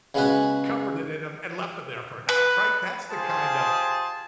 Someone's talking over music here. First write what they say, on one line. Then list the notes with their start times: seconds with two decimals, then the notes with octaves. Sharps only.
covered it in 'em, and left 'em there for an hour." Right? That's the kind of,
0.15 C#3 G#3 B3 C#4 F#4 B4
2.29 B4
3.10 F4 G4 G#4 C5 A5